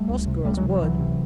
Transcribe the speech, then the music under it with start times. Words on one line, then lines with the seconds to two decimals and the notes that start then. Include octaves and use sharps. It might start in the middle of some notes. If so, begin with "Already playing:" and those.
Most girls would.
Already playing: G3 A3
0.09 C#2
0.27 C3
0.45 C#2 G3 A3
0.57 F#3 G#3
0.63 C3
0.69 F3 G3
0.82 C#2 E3 F#3
0.99 C3